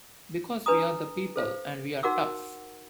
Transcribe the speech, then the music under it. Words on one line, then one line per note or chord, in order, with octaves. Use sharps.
Because we're the people and we're tough!
D4 B4 G#5 A#5 D#6
A4 C5 F5
D#4 F#4 A#4 F#5 D6 E6